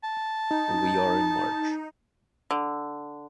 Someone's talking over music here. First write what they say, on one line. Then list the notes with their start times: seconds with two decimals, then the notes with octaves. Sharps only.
We are in March.
0.03 A5
0.51 D#4
2.51 D3